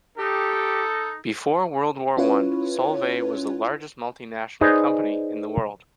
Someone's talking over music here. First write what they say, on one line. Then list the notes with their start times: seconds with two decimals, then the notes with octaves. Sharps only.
Before World War One, Solvay was the largest multinational company in the world.
0.18 D#4 G4 A4
2.17 C#4 E4 F4 B4 C#5
4.61 D#4 G#4 B4 C5 D5